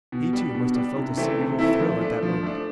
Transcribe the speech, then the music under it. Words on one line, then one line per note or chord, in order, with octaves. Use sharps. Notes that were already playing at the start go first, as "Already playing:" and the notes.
He, too, must have felt a singular thrill at that moment.
B2
G3 D4
B2
G3 D4
C3
E3 A3 C4 E4
C3
E3 A3 C4 E4
F3
A3 D4
F3
A3 D4